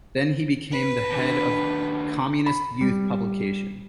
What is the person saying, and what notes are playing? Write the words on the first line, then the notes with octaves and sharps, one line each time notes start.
Then he became the head of Communist Youth publication.
B4
D#2 D3
B5
G3